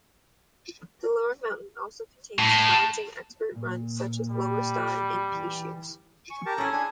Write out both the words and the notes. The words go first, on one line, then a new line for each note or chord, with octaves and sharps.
The lower mountain also contains challenging expert runs such Lower Stein and P-Chutes.
A2
A#2
G3
E3
G#5 C#6
G4 A#4 A5 A#5
C#4 E4 G#4 A4
D4 G#5